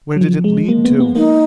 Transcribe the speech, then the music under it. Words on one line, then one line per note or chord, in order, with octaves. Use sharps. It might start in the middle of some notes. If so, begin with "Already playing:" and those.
Where did it lead to?
F#3
F3
G#3
A#3
B3
B3
A#3 D#4